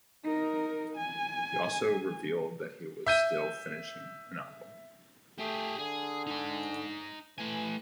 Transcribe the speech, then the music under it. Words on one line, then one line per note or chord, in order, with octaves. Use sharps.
He also revealed that he was still "finishing" the album.
D#4 A#4
G#5
E5 G6 D#7
A3 G4 G#4
D3 G#4
D#4 G#5
E3 A3 G#5